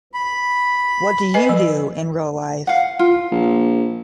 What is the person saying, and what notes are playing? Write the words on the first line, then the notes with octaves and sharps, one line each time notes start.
What do you do in real life?
B5
B4 D#5 G#5
F3
F5 F#5
F4
A#1